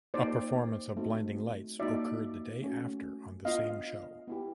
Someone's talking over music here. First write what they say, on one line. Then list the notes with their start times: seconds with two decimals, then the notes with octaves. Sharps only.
A performance of "Blinding Lights" occurred the day after on the same show.
0.14 A#3 D#4 G4 C5 D5
0.96 A3 C4 D#4 F#4
1.79 A#3 D#4 F#4 D5 E5
2.62 A3 C#4 F#4
3.45 B3 D4 F4 D#5 F5
4.27 B3 E4 G4